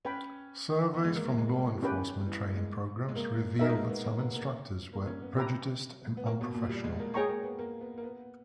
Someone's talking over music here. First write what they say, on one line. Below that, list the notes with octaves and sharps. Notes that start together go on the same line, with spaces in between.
Surveys from law enforcement training programs reveal that some instructors were prejudiced and unprofessional.
C#4 B4 G5 B5
B3
G#3
A#3
A#3
G#3
G3
E3
D#3 C#4 G4 B4 G5
G3
E3
G#3
G#3
G#3
A#3
B3 D#4 A#4 E5
G#3
A#3
B3
A#3
B3
A#3
A#3
C#4
B3
G4 B4 G5 A#5
B3
A#3
B2
A#2
G3
G#3
A#3
G#3 G#4 C#5 G5 A#5 C#6
A#3
B3
A#3
B3
A#3
B3